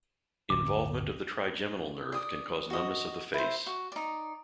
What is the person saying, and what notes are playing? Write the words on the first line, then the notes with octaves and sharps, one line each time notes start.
Involvement of the trigeminal nerve can cause numbness of the face.
D1 G1 A2 D6
D5 D#6
F#4 D#5
E4 C5
F#4
D#4 D5